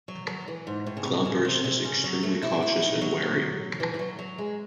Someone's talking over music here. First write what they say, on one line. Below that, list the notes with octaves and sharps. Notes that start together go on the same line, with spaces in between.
Cloudburst is extremely cautious and wary.
F#3
F#3
E3
G#2
A2
C#3
C3
C#3
C3
C3
C3
C#3
F#3
A3
E4
E4
D#4
F#3
E3
E3
F#3
F#3
G#3